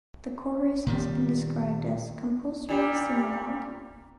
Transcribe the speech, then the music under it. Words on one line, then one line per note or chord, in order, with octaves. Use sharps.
The chorus has been described as "compulsory singalong".
A#2 D#3 G3
A#2 G3